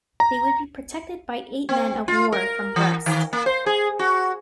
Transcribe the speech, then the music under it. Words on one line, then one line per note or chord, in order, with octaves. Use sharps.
They would be protected by eight men-of-war from Brest.
A#5
C4
F4
A#4
E3
D#3
A#3
C5
G#4
F#4